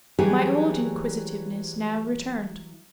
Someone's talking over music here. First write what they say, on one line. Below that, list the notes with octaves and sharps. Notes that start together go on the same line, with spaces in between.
My old inquisitiveness now returned.
E3 F#3 G3 E4 G4 G#4